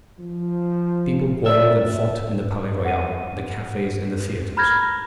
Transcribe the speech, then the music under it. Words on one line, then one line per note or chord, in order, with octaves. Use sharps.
People quarrelled and fought in the Palais Royal, the cafes, and the theatres.
F3
D5 E5
F#5 D#7
A#5 B5 F6 G6 G#6 A#6